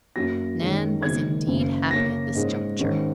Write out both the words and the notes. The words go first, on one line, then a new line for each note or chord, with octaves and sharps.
Nan was indeed happy at this juncture.
F#2 F#3 A#3 A#6
F#2 D#3 G#3 C#4
F#1 F#2 D#3 G#3 C#4 G#6
F#1 F#2 C#3
F#2 C#3 A#3 C#4 A#6
G#2 G#3 C#4
G#2 D#3 G#3 C#4